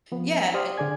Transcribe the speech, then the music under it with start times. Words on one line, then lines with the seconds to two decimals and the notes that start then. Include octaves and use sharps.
yeah, uh,
0.12 F3 B3
0.54 G4 C5 D5 C6 D#6 F6
0.77 D3 G#4 D5 G#5 G#6